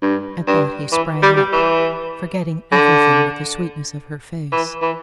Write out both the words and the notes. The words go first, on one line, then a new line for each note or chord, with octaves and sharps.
At that he sprang up, forgetting everything but the sweetness of her face.
G2
G2
E3
G3
G3
E3
D3
E3
E3